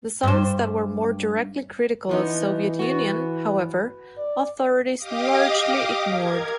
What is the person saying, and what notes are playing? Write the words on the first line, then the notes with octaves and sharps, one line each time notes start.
The songs that were more directly critical of Soviet Union, however, authorities largely ignored.
G2 C5
E3 F3 B3 D#4
B3 F#4
D5
G4 D#5 F5 D6 D#6
A#4 G#6